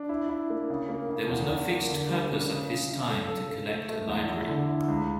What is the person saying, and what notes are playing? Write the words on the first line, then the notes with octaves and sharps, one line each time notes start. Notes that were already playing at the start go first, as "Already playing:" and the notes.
There was no fixed purpose at this time to collect a library.
Already playing: D4
E4
E4
A#3
C#3
A#3
C#3
E2
E2
A#3
D3
G3
C#4
C#3
C#3
C#3
A4
A4
A4
A3
A3
E2
E4
D3
E4
C#2